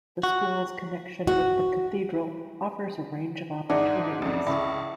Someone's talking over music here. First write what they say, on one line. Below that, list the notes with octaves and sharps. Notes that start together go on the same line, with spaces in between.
The school's connection with the cathedral offers a range of opportunities.
F#4
F#4
G#2 E3 D4 D#4 F#5 A5
A1 F2
C#2 E4 C#6